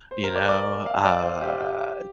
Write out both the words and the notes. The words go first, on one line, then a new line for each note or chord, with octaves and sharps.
you know, uh,
C5
A#4
D5
D5
F5
D5
C5
G4
G4